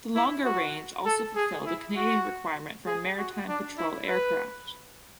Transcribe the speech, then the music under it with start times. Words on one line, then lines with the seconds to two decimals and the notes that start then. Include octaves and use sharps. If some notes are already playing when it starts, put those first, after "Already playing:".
The longer range also fulfilled a Canadian requirement for a maritime patrol aircraft.
0.15 E4
0.45 F#4
1.06 A4
1.36 G#4
1.66 E4
1.96 F#4
2.87 G#4
3.18 F#4
3.49 D4
3.78 E4
4.08 B4